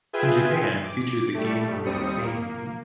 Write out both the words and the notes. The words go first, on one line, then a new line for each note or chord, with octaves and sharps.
In Japan, featured the game under the same name.
F4 G#4 B4 E5 G5 G#5
D6
G3 A3
D#2 G3 C4 D#6 C#7
A#3